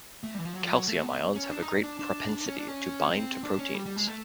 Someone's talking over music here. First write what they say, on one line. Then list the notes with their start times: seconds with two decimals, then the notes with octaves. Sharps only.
Calcium ions have a great propensity to bind to proteins.
0.23 A3
0.34 G3
0.39 E3
0.45 F3
0.55 F#3
0.63 F3
0.71 F#3
0.88 A3
1.03 B3
1.35 C#4
1.50 D4
1.62 D#4
1.83 D4
1.99 D4
2.46 C#4
2.58 D4
2.68 C#4
3.11 C4
3.44 D4
3.59 C#4
3.74 G3
3.86 G3
3.96 G#3
4.07 A3